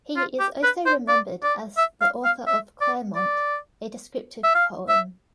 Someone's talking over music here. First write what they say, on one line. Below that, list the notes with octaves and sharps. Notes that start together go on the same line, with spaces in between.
He is also remembered as the author of "Claremont", a descriptive poem.
F4
G4
B4
C5
D5
D5
E5
F5
F5
E5
D5
D5
E5
F5
E5